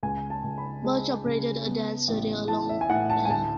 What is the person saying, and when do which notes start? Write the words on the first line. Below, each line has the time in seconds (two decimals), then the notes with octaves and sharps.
Burge operated a dance studio on Long Island.
0.03 C#2 G#5
0.30 A5
0.44 C#2
0.58 B5
0.84 G#3 A5
1.25 C#3
1.66 B3
2.08 A1
2.48 E3 A5
2.69 E5
2.81 G#5
2.89 A2 F#5
3.10 A5
3.25 G#5
3.30 D2 A5